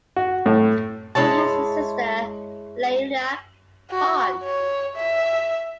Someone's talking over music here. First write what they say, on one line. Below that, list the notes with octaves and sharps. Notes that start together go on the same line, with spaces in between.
He has a sister Laila Khan.
F#4
A2
G#3 E4 C#5 A5
F#4
C#5
E5